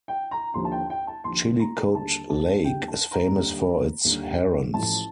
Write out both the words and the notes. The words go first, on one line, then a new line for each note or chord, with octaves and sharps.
Chillicote lake is famous for its herons.
G5
A#5
D#2 D3 F3 C6
A5
G5
G5
A5
D#2 D3 F3 C6
A#5
D#2 D3 G3 A5
A5
D#2 D3 G3 G5
A5
A#5
D#2 D3 G3
D#2 D3 G3
A1 A2 F3 A5